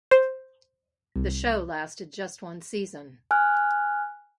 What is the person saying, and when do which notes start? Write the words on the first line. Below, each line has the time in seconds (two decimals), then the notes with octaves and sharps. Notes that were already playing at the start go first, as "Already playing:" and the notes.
The show lasted just one season.
0.11 C5
1.16 C2
3.31 G#5 F6 F#6